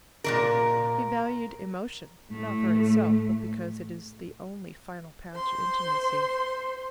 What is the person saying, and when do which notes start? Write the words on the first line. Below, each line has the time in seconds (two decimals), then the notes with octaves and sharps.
He valued emotion--not for itself, but because it is the only final path to intimacy.
0.24 A#2 D#3 A#4
2.30 A2 A3
5.34 C5 C6